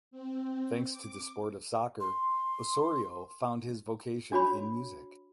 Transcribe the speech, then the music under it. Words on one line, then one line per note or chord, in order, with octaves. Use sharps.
Thanks to the sport of soccer Osorio found his vocation in music.
C4
D6
C6
D4 F#4 C#5 B5